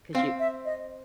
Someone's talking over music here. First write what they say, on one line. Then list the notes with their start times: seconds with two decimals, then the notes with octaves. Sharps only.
'Cause you
0.15 C4 F5
0.39 E5
0.65 D#5